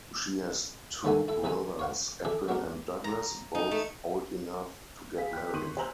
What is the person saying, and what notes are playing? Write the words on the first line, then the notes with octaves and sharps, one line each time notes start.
She has two brothers, Edwin and Douglas, both old enough to get married.
D#2 D#3 A3 A4 F#5 G#5
E4 A4
A1 C3 A4 B4 D#5 G#5
C#5 F5 F#5
E3 D4 G#4 A4
F#3 G#3 B3 D4 A#4
A#5
D#4
A3
G#4 F5 B6
G5 F#6 G6
G1 D#3 C6 C#6 D#7 F#7
G4 C5 G#5 A#5 E6